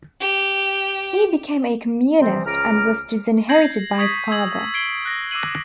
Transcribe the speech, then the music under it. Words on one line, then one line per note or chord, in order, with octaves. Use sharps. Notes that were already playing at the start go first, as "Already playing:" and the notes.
He became a Communist and was disinherited by his father.
G4
C3 E3 F3 G3 C4
C#2 A#5 D6 F6
G6 G#6 A#6 C7 F#7
C#6 D#6 G#6 B6 F#7
E6 G#6 F#7
G#6 C7 D7 G7
F#6 A#6
D6 E6 C7 D#7 F#7